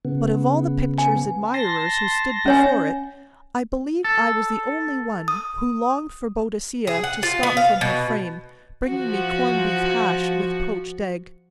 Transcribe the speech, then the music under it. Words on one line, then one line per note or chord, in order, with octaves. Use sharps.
But of all the picture's admirers who stood before it, I believe I was the only one who longed for Boadicea to stalk from her frame, bringing me corned-beef hash with poached egg.
C#3 B3
G#5
A5 C6 A#6
C#4 C#5 G#5
A4
D#6
G#4
F#5
F4
B3
F5
B2
F3 F#4